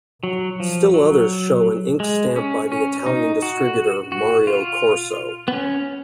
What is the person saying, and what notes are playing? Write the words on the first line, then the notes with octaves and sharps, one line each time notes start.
Still others show an ink stamp by the Italian distributor "Mario Corso".
F#3
F3
F#3
G#3
C#4
C#4
D#4
F#4
F#4
F4
B3
C#4